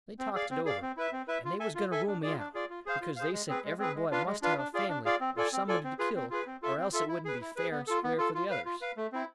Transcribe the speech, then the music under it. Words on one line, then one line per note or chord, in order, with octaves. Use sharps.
They talked it over, and they was going to rule me out, because they said every boy must have a family or somebody to kill, or else it wouldn't be fair and square for the others.
C4
G#4 D5 F5
C4
G#4 D5 F5
C4
E4 B4 E5
C4
E4 B4 E5
F4
A4 E5 G#5
F4
A4 E5 G#5
D4
F4 G#4 D5
D4
F4 G#4 D5
F4
G#4 C5 F5
F4
G#4 C5 F5
G#3
C4 G#4 B4
G#3
C4 G#4 B4
G#3
D4 F4 B4 F5
G#3
D4 F4 B4 F5
D4
F4 G#4 D5 F5
D4
F4 G#4 D5 F5
C4
F4 A4 D5 G#5
C4
F4 A4 D5 G#5
C4
F4 G#4 B4
C4
F4 G#4 B4
C4
F4 A4 E5
C4
F4 A4 E5
E4
G#4 B4
E4
G#4 B4
B3
F4 A4
B3
F4 A4
F4
B4 F5
F4
B4 F5
A3
C4 E4